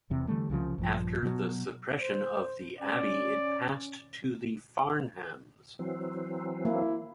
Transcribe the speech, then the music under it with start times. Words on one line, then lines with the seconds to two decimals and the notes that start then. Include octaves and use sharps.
After the suppression of the abbey it passed to the Farnhams.
0.10 E1 E2 C3 C4
0.28 D3 E3 G3 A3
0.50 C2 C#3 E3 F3
0.78 A#1 G2 F3
1.23 B2 F#3
1.99 C5
2.80 C#4 D5
5.79 E3 F#3 C4
6.65 A#3 E4